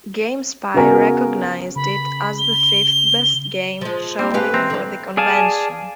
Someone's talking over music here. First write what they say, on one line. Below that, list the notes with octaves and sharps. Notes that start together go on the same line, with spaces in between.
GameSpy recognized it as the fifth best game showing for the convention.
C#3 B3 F#4 A#4 G#5
C#3 B5
G7
F3 G#3
A#3 C4 D4 G4
G#3 C#4 G4 B4 F5 G5 A5
E3 C4 A#5
D3 F#3
G#4 D5 F5 G#5 A5